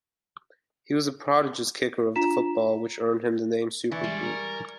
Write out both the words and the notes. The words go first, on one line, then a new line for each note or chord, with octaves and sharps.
He was a prodigious kicker of the football which earned him the nickname "superboot".
D4 F4 A#5 B6 E7
E3 D5 G#5 C#6
E3 G3 G#3
A#4